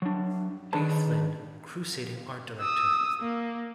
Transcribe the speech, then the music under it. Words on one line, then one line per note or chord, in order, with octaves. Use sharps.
B. Flynn, crusading art director.
F#3 D4
D#3 D4 G#4 B4 A5
D#6 E6
A#3